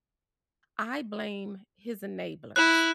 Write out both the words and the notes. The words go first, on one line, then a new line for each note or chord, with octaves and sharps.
I blame his enablers
E4 F#6